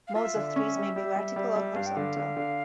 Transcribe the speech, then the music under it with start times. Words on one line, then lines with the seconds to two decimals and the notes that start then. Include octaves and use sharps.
Molds of trees may be vertical or horizontal.
0.08 F5
0.15 F4 E5
0.36 D3
0.56 C#4
0.75 G3
0.96 G3
1.16 G3
1.36 G3
1.56 G3
1.76 G2 F5
1.86 G5
1.96 D3 F5
2.16 D3
2.37 D3